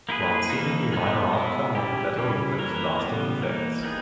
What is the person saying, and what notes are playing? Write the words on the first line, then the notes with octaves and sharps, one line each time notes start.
One seemingly minor outcome of the battle would have lasting effects.
A#3 E4 G#4 B4
E3 A#3 D#4
G#3 B3 D#4
G#3 B3 E4
G3 C#4 E4 G4
C#3 G3 C#4 E4
E3 A#3 E4 A#4 C#5
C#3 E3 G3 B3
E3 A#3 D#4
G3 B3 D#4 G#4